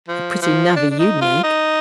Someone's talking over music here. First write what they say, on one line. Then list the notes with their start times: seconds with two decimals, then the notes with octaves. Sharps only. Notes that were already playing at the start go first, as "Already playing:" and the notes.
'A pretty navvy you'd make!
0.08 F3
0.42 F3
0.76 D4
0.91 D4
0.99 D#4
1.21 F4
1.43 D#4